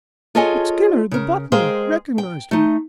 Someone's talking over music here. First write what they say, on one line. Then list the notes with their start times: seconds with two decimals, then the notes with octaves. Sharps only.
"But Skinner--the butler--recognised him?"
0.35 F4 G#4 A4 C#5 D#5 G#5
1.11 C#3 A#4
1.52 G#3 G#4 A#4 C5 F5 G5
2.18 G5
2.51 A3 D#4